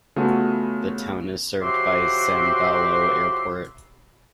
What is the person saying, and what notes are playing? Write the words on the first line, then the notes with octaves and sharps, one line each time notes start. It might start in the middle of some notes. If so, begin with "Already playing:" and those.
The town is served by Sambailo Airport.
C#3 A3 B3 F4 F#4
C#3 F3 F#4 G4 E5 C6